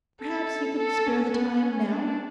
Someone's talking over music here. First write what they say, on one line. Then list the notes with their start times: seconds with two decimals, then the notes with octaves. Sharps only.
Perhaps you could spare the time now?'
0.22 A4
0.79 A4
1.07 C#4
1.35 B3
1.63 C#4
1.91 D4